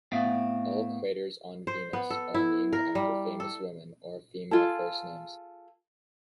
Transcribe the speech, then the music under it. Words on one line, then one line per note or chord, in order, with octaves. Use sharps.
All craters on Venus are named after famous women or female first names.
A2 B3 C4 E5 F5
C5
B3
A4
E4
A#4
G3
A4
F4 G#4 A4